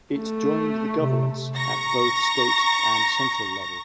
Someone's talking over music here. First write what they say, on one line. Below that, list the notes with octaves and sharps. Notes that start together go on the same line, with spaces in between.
It joined the governments at both state and central level.
A3
C3
A#5 C#6 A#6